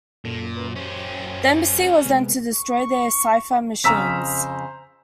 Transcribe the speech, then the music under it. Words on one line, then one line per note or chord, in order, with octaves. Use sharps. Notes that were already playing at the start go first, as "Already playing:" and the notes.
The embassy was then to destroy their cipher machines.
F#2 A#2 A4
A#4 B4
C#4 G4 C5
C3 G#3 B3
C#6
F2 C#3 C5 A#5 E6 B6